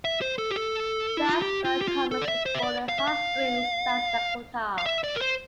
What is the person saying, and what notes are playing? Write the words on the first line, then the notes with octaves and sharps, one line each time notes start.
Jess Floyd Thomas was born in Hot Springs, South Dakota.
E5
C5
A4
G4
A4
E4
F4
G4
F4
G4
F4
A4
D5
E5
C5
E5
D5
F5
E5
F5
F5
E5
D5
A#4
C5